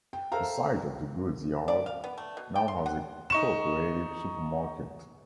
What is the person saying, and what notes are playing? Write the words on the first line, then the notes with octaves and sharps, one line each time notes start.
The site of the goods yard now has a Co-operative supermarket.
G5
A4 A#4 C5 E5 F5 A#5
D5
F5
B3
A3
B2
G5
C6
F#5
D#4 C#6 E7